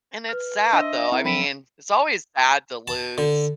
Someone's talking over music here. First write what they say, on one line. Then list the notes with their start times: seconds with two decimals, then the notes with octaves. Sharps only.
And it's sad, though. I mean, it's always sad to lose
0.29 B4 F6
0.73 D4 C5 D#5 E5
1.12 C4 E4 A#4
1.25 F3 F#3 C4 B5
2.88 A5
3.18 D3